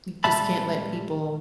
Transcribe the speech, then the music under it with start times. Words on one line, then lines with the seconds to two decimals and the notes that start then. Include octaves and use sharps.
you just can't let people
0.24 A#2 G3 G#3 E5 A5 B5